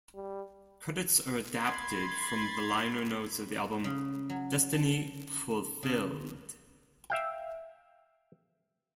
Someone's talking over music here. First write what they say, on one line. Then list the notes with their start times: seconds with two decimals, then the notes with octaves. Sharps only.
Credits are adapted from the liner notes of the album "Destiny Fulfilled".
0.15 G3
1.57 B5 C6 G#6 A6
3.84 C#3
4.29 F#3
4.73 A5
5.83 C#3
7.10 E5 F5 G5